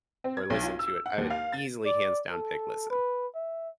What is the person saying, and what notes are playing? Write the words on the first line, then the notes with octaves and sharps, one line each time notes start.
or listen to it, I would easily hands down pick listen.
C4
G#6
B1
F4
E6
F#5
D#2
F5
A6
D5
A4
B4
E5